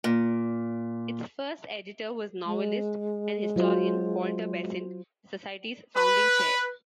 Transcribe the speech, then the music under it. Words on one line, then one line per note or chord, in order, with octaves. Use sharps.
Its first editor was novelist and historian Walter Besant, the Society's founding Chair.
A#2
G#3
F#3 F4 C5
B4